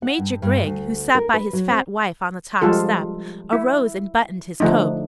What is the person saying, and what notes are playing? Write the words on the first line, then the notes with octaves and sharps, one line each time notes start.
Major Grigg, who sat by his fat wife on the top step, arose and buttoned his coat.
F#5
G2
G2
D2
A#4
B4
F#3
C4
F3 G3 G#3 F4 A4
E4
D3 F3 A3 D4 D#4